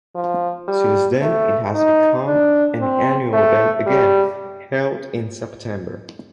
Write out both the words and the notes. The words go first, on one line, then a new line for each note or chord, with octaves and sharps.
Since then it has become an annual event again, held in September.
F3
G3
A3
D#4
D4
C4
A3
G3